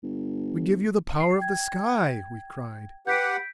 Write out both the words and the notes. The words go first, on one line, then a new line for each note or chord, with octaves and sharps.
"We give you the power of the sky!" we cried.
G1
C7
G5 G#6
G4 B4 F#5 G6 B6 D7